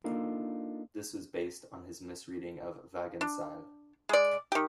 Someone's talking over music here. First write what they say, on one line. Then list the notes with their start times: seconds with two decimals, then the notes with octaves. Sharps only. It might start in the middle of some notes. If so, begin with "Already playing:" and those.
This was based on his misreading of Wagenseil.
0.04 A#3 D4 D#4 F4 A4 A#4
3.21 D4
4.09 G#3 D5
4.52 D#3 G4